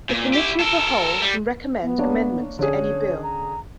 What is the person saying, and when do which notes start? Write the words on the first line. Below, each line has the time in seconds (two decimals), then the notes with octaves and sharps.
The Committee of the Whole can recommend amendments to any bill.
0.09 A#2
0.33 E4 G4
0.60 A4 A#4
1.22 G3
1.82 B3
1.98 A#3 D4 C#5
2.59 D3 C#4 G#4 C#5
3.23 A#5